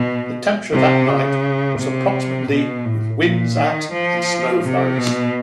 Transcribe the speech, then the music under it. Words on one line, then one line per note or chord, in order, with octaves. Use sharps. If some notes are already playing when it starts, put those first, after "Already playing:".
The temperature that night was approximately with winds at and snow flurries.
Already playing: B2
C3
C#3
C3
B2
A2
A#2
D#3
F3
C3
B2